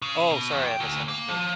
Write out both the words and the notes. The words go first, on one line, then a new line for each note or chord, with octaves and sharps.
Oh, sorry, I misunderstood,
C#3
B2
E2
G5
D2
A#3
F3